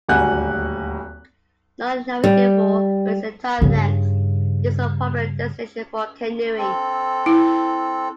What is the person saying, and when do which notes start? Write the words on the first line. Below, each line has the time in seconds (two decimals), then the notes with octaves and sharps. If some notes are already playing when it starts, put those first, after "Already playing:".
Non-navigable for its entire length, it is a popular destination for canoeing.
0.08 D#1 G#1 D2 F#5 G#5 F#6
2.24 G3
3.61 G2 C#3
6.58 C4 A4
7.26 E4